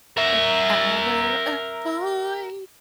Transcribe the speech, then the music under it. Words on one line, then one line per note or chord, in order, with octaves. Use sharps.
If I were a boy,
A#4 E5